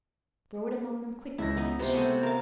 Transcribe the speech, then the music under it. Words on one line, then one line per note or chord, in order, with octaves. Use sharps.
"Throw it among them quickly!" cried she.
C#2 E4 A#6
B3 D#4 D#5
C3 B3 C5
G#3 A3 F#5
A#4 F5